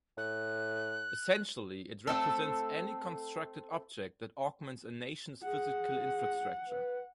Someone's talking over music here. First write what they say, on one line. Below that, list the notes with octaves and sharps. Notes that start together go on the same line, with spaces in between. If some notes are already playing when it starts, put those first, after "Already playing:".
Essentially, it represents any constructed object that augments a nation's physical infrastructure.
A2 F#6
A3 C4 A4
G#4 F#5
B4